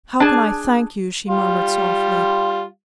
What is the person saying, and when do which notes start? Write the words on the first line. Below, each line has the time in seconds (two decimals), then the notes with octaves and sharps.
"How can I thank you?" she murmured, softly.
0.20 D4 G#4 A5
1.28 G3 F4